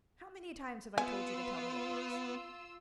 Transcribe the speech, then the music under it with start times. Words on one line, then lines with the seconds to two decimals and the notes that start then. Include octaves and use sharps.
"How many times have I told you to tell me at once?"
0.98 B3 F4 G#5 E6